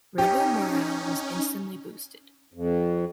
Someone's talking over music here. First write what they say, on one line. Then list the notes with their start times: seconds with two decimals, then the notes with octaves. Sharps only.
Rebel morale was instantly boosted.
0.18 C#4 D#4 G4
2.54 F2